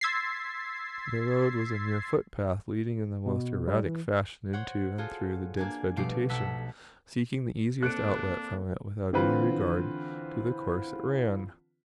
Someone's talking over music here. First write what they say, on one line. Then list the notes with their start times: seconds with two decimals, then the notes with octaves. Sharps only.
The road was a mere footpath, leading in the most erratic fashion into and through the dense vegetation, seeking the easiest outlet from it without any regard to the course it ran.
0.01 C6 E6 G#6 A6 B6 C7
3.26 B2
3.68 G3
3.86 E3
4.53 C5 C#5 F#5
4.98 F4 F#4 G#4 A4
5.57 A#3 D4 G#5
5.97 B2 F3 G3 A3 D6 C7
6.29 B1 F#5 A5 E6 B6
7.83 A#3 C4 D4 A4 F#6 C#7 D7
9.13 D3 E3 C4 F4 B4